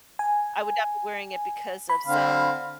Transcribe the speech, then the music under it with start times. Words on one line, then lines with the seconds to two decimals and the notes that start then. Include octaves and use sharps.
I would not be wearing it because of some
0.19 G#5
1.90 B5
2.07 D3 C4 F5